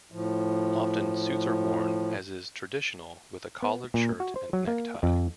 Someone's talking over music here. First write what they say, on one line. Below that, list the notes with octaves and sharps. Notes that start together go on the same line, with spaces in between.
Often, suits are worn, as is traditional, with a collared shirt and necktie.
A2 F3
B3
A#2
F#4
C5
F#3
A#3
F2